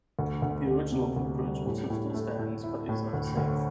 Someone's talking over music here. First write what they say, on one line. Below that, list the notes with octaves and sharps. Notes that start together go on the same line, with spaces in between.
The original footbridge also still stands but is unsafe.
D2
D2
D2
C3
D2
G3
A2
A2
A3
A2
E4
A2
D2
D2